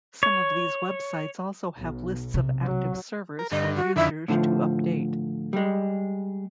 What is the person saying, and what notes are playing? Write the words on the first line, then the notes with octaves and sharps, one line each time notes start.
Some of these websites also have lists of active servers for users to update.
C#5
B1
C3
F#3
A#4
G2 D3 D#5
F#4
F2 D3 D#3 E4
A2 D3 F3
G3 G#3